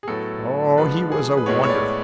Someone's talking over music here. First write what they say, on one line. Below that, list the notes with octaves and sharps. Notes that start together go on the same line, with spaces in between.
Oh, he was a wonder!
G#4
A2 F#3 B3 A4
D3 F3 G#3 B4
G#4
B4
A2 G#3 B3 C#5
C#5
D5